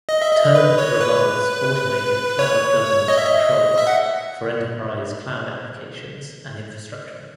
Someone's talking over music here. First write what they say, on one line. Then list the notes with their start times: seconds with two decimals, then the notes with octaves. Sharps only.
Turbot provides automated cloud governance controls for enterprise cloud applications and infrastructure.
0.09 D#5
0.22 E5
0.32 D#5
0.55 B4
0.78 C#5
1.01 B4
2.39 C#5
3.08 D#5
3.17 E5
3.27 D#5
3.78 E5
3.87 F#5